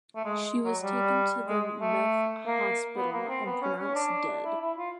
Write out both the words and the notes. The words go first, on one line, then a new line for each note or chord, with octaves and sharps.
She was taken to the Meath Hospital and pronounced dead.
A3
G#3
F#3
G3
G#3
A3
A#3
B3
A#3
C4
B3
C#4
C#4
D4
E4
E4
F4